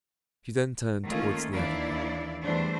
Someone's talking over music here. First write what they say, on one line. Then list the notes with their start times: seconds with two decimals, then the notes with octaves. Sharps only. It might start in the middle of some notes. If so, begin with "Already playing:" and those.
She then turned towards the avenue.
1.05 D#3 A3 A#3 C#4 F4
1.53 D#2 E3 D4 E4 D5 F5
2.43 E2 E3 G3 A3 D4 C5